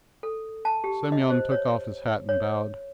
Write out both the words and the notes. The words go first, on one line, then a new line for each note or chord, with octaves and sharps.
Semyon took off his hat and bowed.
A4
A5
G4
D#5
C5
C#5
C#5